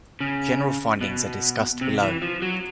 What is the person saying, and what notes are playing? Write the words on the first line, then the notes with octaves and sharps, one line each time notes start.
General findings are discussed below.
C#3
B2
C3
E3
F3
F#3